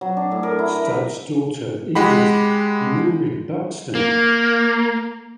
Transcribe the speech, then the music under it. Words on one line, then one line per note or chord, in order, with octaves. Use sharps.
Studd's daughter Edith married Buxton.
F#3
D4
A2
A#4
E4
A#4
B4
G#3 G4 F#5 B5
A#3